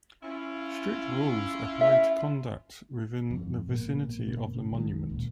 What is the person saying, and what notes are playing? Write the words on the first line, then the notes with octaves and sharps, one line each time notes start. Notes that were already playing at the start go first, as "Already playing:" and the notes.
Strict rules apply to conduct within the vicinity of the monument.
C#4 E4 F4
E5
G1 F2
A#1 G#2 B2 A#3
F#1 G#2 B2 A#3
C#3
B1 D#3 F#3 G#3
D1 G#1 C#2 A#2